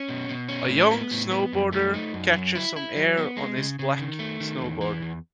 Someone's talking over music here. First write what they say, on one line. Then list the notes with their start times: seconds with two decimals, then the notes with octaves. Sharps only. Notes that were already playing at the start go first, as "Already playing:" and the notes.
A young snowboarder catches some air on his black snowboard.
Already playing: C#4
0.09 B2
0.29 B2
0.49 C#4
0.69 A2
0.91 B3
1.11 A2
1.31 B3
1.53 F#2
1.73 A3
1.94 D#4
2.13 F#2
2.35 F#3
2.55 E4
2.76 E4
2.96 F#3
3.17 B3
3.37 G#3
3.57 C#3
3.79 C#3
3.99 D#3
4.19 A3
4.40 D#3
4.61 E2
4.81 E3
5.02 E2